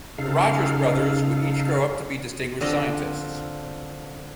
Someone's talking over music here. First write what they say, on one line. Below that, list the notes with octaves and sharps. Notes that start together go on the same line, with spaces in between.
The Rogers brothers would each grow up to be distinguished scientists.
C#3 D#4 A4 F5
D3 F3 C4 F4 D5 D#5